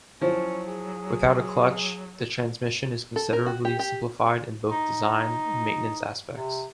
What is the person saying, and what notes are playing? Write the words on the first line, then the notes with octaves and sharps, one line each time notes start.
Without a clutch, the transmission is considerably simplified in both design and maintenance aspects.
F3 F#3 C#4 E4 C5
G#4
A4
A#4
F#4
G4
G4
D#4
C3